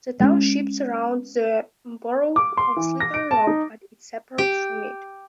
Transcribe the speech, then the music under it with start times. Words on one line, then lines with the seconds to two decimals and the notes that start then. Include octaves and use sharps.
The township surrounds the borough of Slippery Rock but is separate from it.
0.20 G#3 B3 C#4
2.36 D6
2.57 C6
2.77 E3
3.00 A#6
3.14 D7
3.31 A5
3.47 D#4
4.38 G4